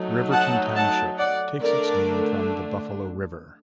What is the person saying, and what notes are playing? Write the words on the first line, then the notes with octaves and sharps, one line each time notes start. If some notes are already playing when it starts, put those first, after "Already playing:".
Riverton Township takes its name from the Buffalo River.
Already playing: F#3 A3 D#4
F#5 A5
F#5 A5
D5 F#5
D3 A3 D4 A#4 D5